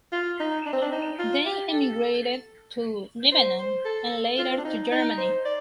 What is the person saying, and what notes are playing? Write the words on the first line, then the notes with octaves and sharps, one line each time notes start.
They emigrated to Lebanon and later to Germany.
F4
D#4
D4
C4
D4
D#4
F4
G4
A4
C5
C5
A4
F4
C4
D4
D#4
D#4
C5
D5